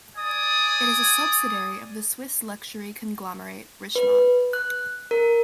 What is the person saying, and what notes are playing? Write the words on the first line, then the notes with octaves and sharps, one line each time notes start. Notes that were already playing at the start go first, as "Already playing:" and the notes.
It is a subsidiary of the Swiss luxury conglomerate Richemont.
D5 G#5 D#6
B4
F#6
A#4